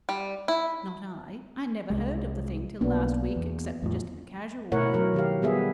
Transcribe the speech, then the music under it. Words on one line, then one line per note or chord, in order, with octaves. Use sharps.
Not I. I never heard of the thing till last week, except just in a casual way.
G3
E4
C2 G#3
B1 A#3 B3 D4
E2
E2 A2 F3
B2 A3 E4 A#4 C#5 F#5
F#3 A#4
D#3 G4 F5
G3 B3 G#4 E5